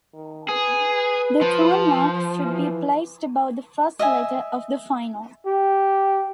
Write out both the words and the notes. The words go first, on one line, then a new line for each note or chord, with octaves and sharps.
The tone mark should be placed above the first letter of the final.
D#3
G#4 B4
F3
E3
D#5 E5 G#5
G4